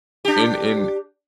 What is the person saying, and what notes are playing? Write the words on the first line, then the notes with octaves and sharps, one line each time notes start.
in in
D4 G4